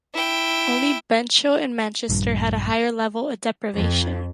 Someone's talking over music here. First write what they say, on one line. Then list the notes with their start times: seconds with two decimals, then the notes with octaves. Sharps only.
Only Benchill in Manchester had a higher level of deprivation.
0.14 E4 G5
2.09 A#1 G2
3.74 F2